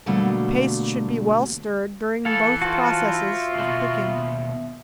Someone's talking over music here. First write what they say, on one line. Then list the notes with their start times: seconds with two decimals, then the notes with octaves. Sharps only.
The paste should be well stirred during both processes of cooking.
0.06 B2 D3 F#3 G3 A3 A#3
2.25 E3 A4 F5
2.62 F4 F#4 C5 A5
3.13 E5
3.54 D#2 B2